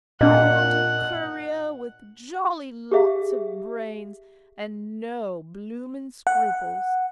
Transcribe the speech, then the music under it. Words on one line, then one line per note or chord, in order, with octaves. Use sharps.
I want a courier with jolly lots of brains and no blooming scruples.
A#2 D4 D#5 F#5
G4 G#4 E5 F5
F#5